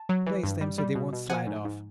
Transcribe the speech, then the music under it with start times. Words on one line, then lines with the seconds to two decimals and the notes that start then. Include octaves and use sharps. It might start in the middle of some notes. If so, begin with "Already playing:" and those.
Place them so they won't slide off.
Already playing: A5
0.09 F#3
0.27 E3
0.43 G2
0.61 G3
0.78 G3
0.95 B2
1.13 B2
1.30 F3 F#5 G#5
1.47 G#2
1.65 G#2